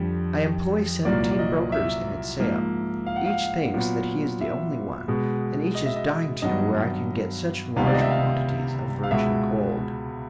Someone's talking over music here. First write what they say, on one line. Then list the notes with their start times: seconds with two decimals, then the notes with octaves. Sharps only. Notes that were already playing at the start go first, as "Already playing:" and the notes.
I employ seventeen brokers in its sale. Each thinks that he is the only one, and each is dying to know where I can get such large quantities of virgin gold.
Already playing: F2 D3 G3
1.05 C2 A#2 F#3 A#3 D5
1.31 D5
1.39 D#5
1.72 E5
2.39 G#2 F3 A#3
3.06 F5
3.16 F#5
3.26 F5
3.74 A#2 F#3 B3
4.41 E5
5.08 B2 G#3 B3
5.75 D#5
5.86 E5
5.96 D#5
6.42 G2 D#3 F#3 B3 D#5
7.76 C#2 C3 D#3 G3 B3 F5
7.87 D5
7.94 D#5
8.02 E5
8.11 F5
9.03 F5
9.11 C#2 B2 G#3 B3 E5